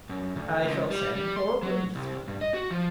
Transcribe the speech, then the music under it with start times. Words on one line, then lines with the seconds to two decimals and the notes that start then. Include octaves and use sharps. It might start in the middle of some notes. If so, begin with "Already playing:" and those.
"I shall send for a policeman."
0.09 F#2
0.36 D2
0.65 C#2
0.90 G3
1.16 G3
1.36 C6
1.63 F#3
1.95 C2
2.28 G2
2.41 D#5
2.54 F#4
2.71 F3